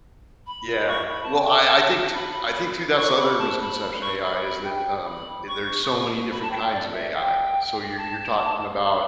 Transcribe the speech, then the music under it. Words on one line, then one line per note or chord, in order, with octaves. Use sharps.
Yeah, well, I I think to I think, too, that's the other misconception of AI is that, um, eh, there's so many different kinds of AI. So you're you're talking about
B5
B5
C#6
B5
A5
G5
A5
B5
C#6
B5
A5
B5
B5
C#6
B5
B5
G5
B5
C#6
B5
A5
G5
D5
E5
G5
A5